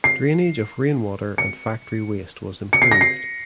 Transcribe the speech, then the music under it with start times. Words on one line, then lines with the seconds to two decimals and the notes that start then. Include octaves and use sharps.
Drainage of rainwater and factory waste was improved.
0.04 C7
1.38 C#7
2.73 C#7
2.82 C7
2.91 A#6
3.01 C7